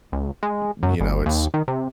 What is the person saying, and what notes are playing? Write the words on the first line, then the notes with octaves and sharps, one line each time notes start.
Y you know, it's
C#2
G#3
F#2
G1
D#2
D#3
C3